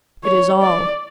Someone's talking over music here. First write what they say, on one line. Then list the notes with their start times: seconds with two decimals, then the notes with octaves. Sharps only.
It is all.
0.24 C#5
0.62 D5